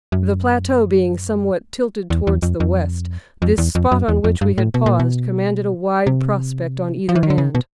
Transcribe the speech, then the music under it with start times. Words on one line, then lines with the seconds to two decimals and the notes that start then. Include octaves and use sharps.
The plateau being somewhat tilted towards the west, this spot on which we had paused commanded a wide prospect on either hand.
0.12 F#2
2.10 E2
2.27 E2
2.42 F2
2.60 F2
3.42 F2
3.58 E2
3.75 F2
3.92 F#2
4.08 E2
4.24 F2
4.41 G2
4.58 A2
4.74 B2
4.86 A#2
5.00 B2
6.07 C3
7.09 F3
7.15 E3
7.23 D#3
7.30 D3
7.38 C#3
7.55 B2